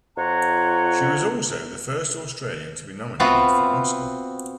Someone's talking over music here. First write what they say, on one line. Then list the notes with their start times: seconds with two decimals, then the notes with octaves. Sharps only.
She was also the first Australian to be nominated for an Oscar.
0.18 F2 F4 C#5 F#5 A#5
3.20 B3 C4 F4 F#4 E5 F5